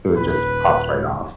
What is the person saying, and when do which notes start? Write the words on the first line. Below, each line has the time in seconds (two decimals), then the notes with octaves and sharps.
So it just pops right off.
0.16 D#1 B4